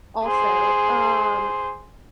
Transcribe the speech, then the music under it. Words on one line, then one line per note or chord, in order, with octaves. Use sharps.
Also, um,
G#4 C5